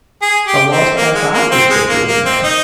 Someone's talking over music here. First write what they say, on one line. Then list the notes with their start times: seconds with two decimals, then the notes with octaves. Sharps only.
"A lost half-hour?" said the old man.
0.22 G#4
0.47 G4
0.72 C4
0.96 A#3
1.14 G#3
1.33 A#3
1.51 C4
1.70 G#3
1.88 A#3
2.07 A#3
2.25 C4
2.44 D#4